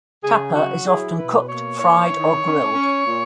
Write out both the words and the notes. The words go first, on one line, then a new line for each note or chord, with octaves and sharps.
"Tapa" is often cooked fried or grilled.
C#3 G#4
F#3 F#4
E4 G#4
B2 B4
A#3 C#5
E4 C#5
D#3
C#4
C#4
A#2